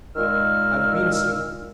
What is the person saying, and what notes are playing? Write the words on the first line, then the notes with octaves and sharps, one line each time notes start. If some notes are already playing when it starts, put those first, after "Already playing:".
"I've been asleep."
A#2 D#3 G#3 E6 F6